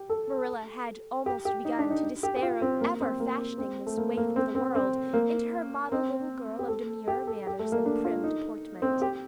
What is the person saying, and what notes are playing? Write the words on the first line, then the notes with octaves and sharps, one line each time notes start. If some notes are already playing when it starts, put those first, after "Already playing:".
Marilla had almost begun to despair of ever fashioning this waif of the world into her model little girl of demure manners and prim deportment.
Already playing: G4
A4
G4
G4
D#4
D4
D#4
G4
G4
F4
C4
A#3
C4
A#3
C4
A3
A#3
A#3
C4
C4
C4
A#3
C4
G4
A4
G4
A4
G4
A3
A#3
D4
F4
D#4
C4
G4